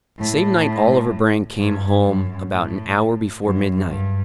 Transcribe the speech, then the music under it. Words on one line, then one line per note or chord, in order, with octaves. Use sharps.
The same night Oliver Brand came home about an hour before midnight.
A2
G2
F#2
A2
F#2
G2